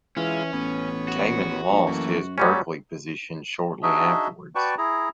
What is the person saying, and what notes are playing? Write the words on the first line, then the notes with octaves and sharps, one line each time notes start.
Kamen lost his Berkeley position shortly afterwards.
E3 G#3 C#4 E4 F4
A1 B3 C#5
F#4
A#1
F#2 E3 A3 A#3
F#3 G3 A3 C#4
D4 D#4 F#4 G#4 D#5 E5
F#4 B4 D5 G5 A5 C#6
E4 G#4 A#5